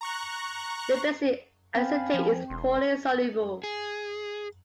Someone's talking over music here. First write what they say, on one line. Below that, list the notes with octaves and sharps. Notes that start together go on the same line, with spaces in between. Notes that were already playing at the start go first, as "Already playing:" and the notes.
The basic acetate is poorly soluble.
A#5 C#6 F#6
C4 F5 G5 G#5 B5
F3
E1 C6
G#4